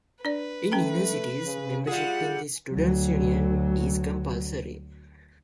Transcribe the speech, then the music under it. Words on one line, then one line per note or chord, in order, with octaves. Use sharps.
In universities, membership in the students' union is compulsory.
D4 B4 D5
A3 C#4 G5 A#5
C#3
G3 F4 G#4 F#5
D2 F#3